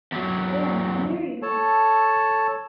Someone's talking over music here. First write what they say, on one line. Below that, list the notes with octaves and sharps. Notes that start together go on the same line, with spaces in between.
Then I married one!
E2 F#3
A4 C#5 A5